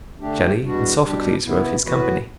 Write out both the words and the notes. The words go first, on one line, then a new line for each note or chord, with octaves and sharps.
Shelley and Sophocles are of his company.
D3 A3 D4 G4
E2 B2 G3 D4 F#4
B2 G3 D4 G4
C#3 E3 B3 E4
A2 E3 B3 F#4 B4